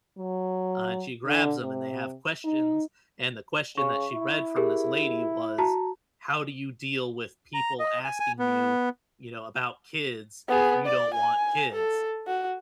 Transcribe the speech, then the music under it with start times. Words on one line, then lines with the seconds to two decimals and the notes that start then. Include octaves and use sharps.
uh, and she grabs 'em, and they have questions, and the question that she read from this lady was, "How do you deal with people asking you, you know, about kids, if you don't want kids?"
0.18 F#3
1.26 D3
1.61 C3
2.45 D#4
3.78 C#3 C#6
4.13 E4
4.56 G4 G#4 A#4
5.58 F#4 A5 A#5
7.54 A#5
7.80 D#5
8.04 G#5
8.20 G#5
8.39 B3
10.48 B3 G#4
10.86 D5
11.14 G#5
11.72 A4
12.27 F#4